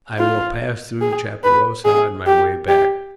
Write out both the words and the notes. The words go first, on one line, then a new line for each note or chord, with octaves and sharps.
I will pass through Chaparosa on my way back.
F4
G#4
B4
G#4
G4
G4